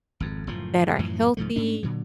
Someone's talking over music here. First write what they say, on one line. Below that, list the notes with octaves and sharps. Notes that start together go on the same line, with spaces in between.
that are healthy
G#1 F2
F#1 A2 F3
F#2 A2 E3 F3
C2 G#2 F3 A3
G#2 C#4 D4
A#2 D3 F#3